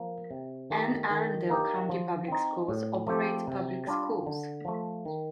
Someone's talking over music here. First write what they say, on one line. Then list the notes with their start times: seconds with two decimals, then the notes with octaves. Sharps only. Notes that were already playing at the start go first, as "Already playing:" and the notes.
Anne Arundel County Public Schools operates public schools.
Already playing: F3 A#3
0.31 C3
0.70 D#3 A3 D#4 G4
1.10 D#3
1.50 A#3 D#4 G4
1.89 F3
2.28 C4 D#4
2.68 A2
3.07 F3 A3 C4 G4
3.47 C3
3.87 G3 D4 F4
4.26 D3
4.65 F3 A3
5.05 D#3